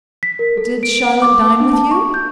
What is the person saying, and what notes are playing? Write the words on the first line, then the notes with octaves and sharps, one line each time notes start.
"Did Charlotte dine with you?"
B6
A#4
A4
D7
F#5
D6
D4
A5
C#6
G6